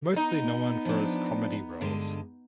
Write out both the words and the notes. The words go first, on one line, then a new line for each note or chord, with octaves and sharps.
Mostly known for his comedy roles.
B3 D#4
F3 D4
G2 D3 G#3